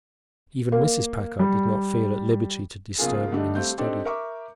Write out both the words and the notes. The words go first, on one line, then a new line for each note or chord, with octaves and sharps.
Even Mrs. Packard did not feel at liberty to disturb him in his study.
A#3
G3
B1 C#3 A#3 F4 G#4
D3 G3 A3 D4 D#4
G3 A3 C4 F5 G6
C4 D4 D#4 G4 A4
A#4 E5 C#6 D6